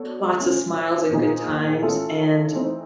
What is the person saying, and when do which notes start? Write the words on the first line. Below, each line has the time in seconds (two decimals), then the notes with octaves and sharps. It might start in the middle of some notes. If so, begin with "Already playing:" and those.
lots of smiles and good times, and
Already playing: B3 D4 F#4 A4 C#5
0.40 A3 C#4 F4
1.10 A#2 F3 A#3 D#4 G#4
1.82 E3 A3 C#4 F4 A4
2.53 E3 A3 C4 D#4